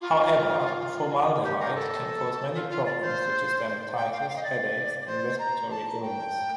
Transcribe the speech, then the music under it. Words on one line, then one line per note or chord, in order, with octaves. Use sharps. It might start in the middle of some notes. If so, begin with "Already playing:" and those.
However, formaldehyde can cause many problems such as dermatitis, headaches, and respiratory illness.
F4
G4
A#4
A4
F4
F4
D5
C5
G5
F5
G5
F5
D#5
D5
D5
C5
A#5
A5
G5